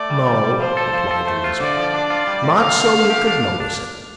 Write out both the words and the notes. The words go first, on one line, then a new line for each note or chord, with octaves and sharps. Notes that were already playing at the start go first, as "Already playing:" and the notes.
"No," replied the Lizard; "not so you could notice it."
Already playing: A3 D5
G3
G3
G3
F3 C5
A4
F3
A4
A3
F4
D3 D5
F3
D4
F4
G3
A2
G3 F5
D3
D3
G4
D4
D4
D4